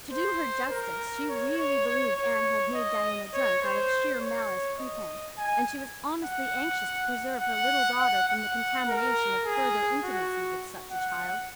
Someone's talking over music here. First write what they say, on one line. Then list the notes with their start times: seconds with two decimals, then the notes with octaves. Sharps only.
To do her justice, she really believed Anne had made Diana drunk out of sheer malice prepense, and she was honestly anxious to preserve her little daughter from the contamination of further intimacy with such a child.
0.12 C5
0.70 A#4
1.29 C#5
1.58 C#5
1.87 C#5
2.16 C#5
2.74 D#5
3.33 C#5
3.62 C5
4.20 C#5
4.79 D#5
5.37 G#5
6.25 F#5
7.41 F#5
7.99 F#5
8.29 F#5
8.87 A#4
9.45 G#4
10.04 F#4
10.92 F#5